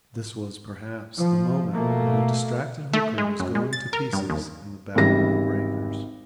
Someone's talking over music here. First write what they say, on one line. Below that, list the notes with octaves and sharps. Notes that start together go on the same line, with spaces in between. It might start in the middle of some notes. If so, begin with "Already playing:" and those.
This was, perhaps, the moment when the distracted hooker was going to pieces in the battle of the breakers.
F3
B2 A3 A#3
A3
G#3
F#2
G#3
A6
A#4
G2
D#2
G#1 C#2 E3 G3 A#6